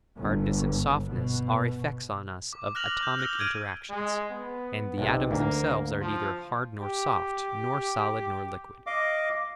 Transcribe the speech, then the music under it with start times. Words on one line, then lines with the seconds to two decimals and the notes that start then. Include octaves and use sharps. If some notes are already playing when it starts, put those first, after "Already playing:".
Hardness and softness are effects on us of atomic interactions, and the atoms themselves are neither hard nor soft, nor solid nor liquid.
0.16 G1
1.08 B2
2.53 D6
2.75 F6 F#6 A#6 F7 F#7
3.03 G6
3.19 E6 F#6 A#6 F7 G7
3.39 F6 G#6 D7 D#7
3.90 G#3
4.30 B3
4.98 B1 C3
5.31 D2 A#3
6.01 F3
6.80 G4
8.86 D#5 F5 D6